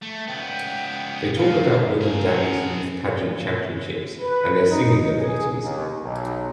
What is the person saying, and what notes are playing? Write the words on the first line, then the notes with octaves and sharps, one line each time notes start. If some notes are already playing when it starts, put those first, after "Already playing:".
They talk about Will and Danny's youth-pageant championships and their singing abilities.
A3
C#2 B3 G5
A#2 F5
G#4 A#4
F#5
B4
D#4
G#4
D#2
B1